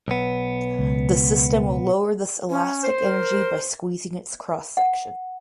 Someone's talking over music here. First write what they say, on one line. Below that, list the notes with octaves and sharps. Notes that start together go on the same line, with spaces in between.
The system will lower this elastic energy by squeezing its cross section.
B1 B3
C#2
C#4
C5
A#4
F#5